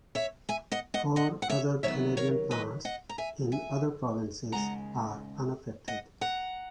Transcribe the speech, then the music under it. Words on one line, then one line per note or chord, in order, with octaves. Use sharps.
Four other Canadian plants, in other provinces, are unaffected.
C#5 E5
E5 G#5
D#5 F#5
D#5 F#5
D#5 F#5
F#5
C#5 E5
D#3 F#3 B3 C#5 E5
A#4 C#5
B4 D#5
D#5 F#5
A#5
E5 G#5
E5 G#5
D#2 C#3 G#3 F#5 A#5
D#5 F#5
F#5 A#5